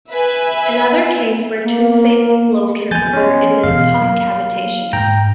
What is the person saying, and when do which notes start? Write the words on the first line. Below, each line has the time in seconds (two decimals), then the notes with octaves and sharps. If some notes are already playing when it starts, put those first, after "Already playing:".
Another case where two-phase flow can occur is in pump cavitation.
0.12 B4 E5 G#5
1.64 A#3
2.91 F3 B3 G#5 G6 A6
3.13 G#3 C#4
3.63 E1 B2 F5
4.02 F#3 A#3
4.93 G#2 G5 A#5